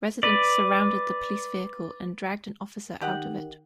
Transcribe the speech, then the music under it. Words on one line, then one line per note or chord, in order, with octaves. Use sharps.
Residents surrounded the police vehicle and dragged an officer out of it.
B4 D5
D#3 G4 D#5 F#5